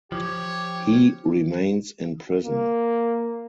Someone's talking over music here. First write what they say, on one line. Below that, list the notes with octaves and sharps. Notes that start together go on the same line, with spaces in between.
He remains in prison.
F3 G4 C#5
A#3